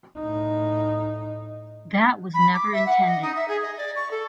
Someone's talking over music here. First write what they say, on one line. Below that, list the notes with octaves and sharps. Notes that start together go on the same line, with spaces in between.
That was never intended.
A2 D#4
B5
D6
E5
F#5
D#5
D#4
E5
G#4
D#5
D5
C#6
A4